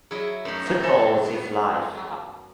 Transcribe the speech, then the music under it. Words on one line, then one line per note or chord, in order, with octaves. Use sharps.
Football was his life.
F#3 E4 G#4 D#5
F#2 A3 D#4 A#4
B3 A4 C5 E5 G#5 A5